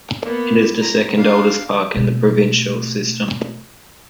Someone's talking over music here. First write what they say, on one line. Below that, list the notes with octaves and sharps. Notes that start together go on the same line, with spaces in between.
It is the second oldest park in the provincial system.
A#3 B3
A#5
D4 F5
B2 A3